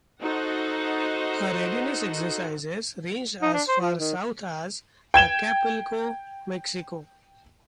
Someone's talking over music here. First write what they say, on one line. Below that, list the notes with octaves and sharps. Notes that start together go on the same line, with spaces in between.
Her readiness exercises ranged as far south as Acapulco, Mexico.
D#4 F#4 A4 C5 D#5 F#5
D#4
D4
C5
F3
D#3
G5 G#6 E7 G7